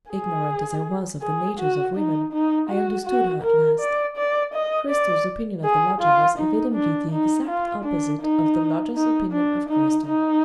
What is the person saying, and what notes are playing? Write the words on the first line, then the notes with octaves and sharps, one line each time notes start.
Ignorant as I was of the natures of women, I understood her at last. Cristel's opinion of the lodger was evidently the exact opposite of the lodger's opinion of Cristel.
G#4
G#4
F#4
D#4
D#4
F#4
F#4
A#4
D5
D5
D#5
D5
G#4
F4
D#4
D4
D#4
F4
D4
D#4
D#4
D4
D#4
D#4